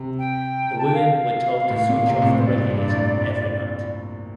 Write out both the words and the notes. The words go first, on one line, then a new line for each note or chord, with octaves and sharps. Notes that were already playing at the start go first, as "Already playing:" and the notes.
The women were told to switch off the regulator every night.
Already playing: C3
G5
A5
G5
F5
A2
A#2
C3
A2
A#2
C5
G2 D5
G2
A2
G2